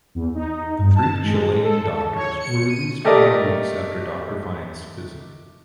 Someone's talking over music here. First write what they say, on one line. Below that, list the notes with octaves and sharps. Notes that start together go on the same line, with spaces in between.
The three Chilean doctors were released five weeks after Doctor Fine's visit.
E2
D#4
G2
A5
G#3
A4
C#5
C#7
D#7
A3 G4 A4 A#4 D5 D#5